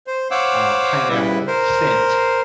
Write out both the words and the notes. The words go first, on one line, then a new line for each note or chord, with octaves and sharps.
uh, pineapple scent,
C5
C5 C#5 F5 F#5 D6 E6
C#3 G3 E4 B4
A#4 C5